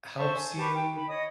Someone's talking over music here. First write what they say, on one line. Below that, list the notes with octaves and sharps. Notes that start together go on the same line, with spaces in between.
helps you
C5 E5 A5 C#6
G#5
G4 B4 A5 C#6
G5
B5
C#5 D#5 D#6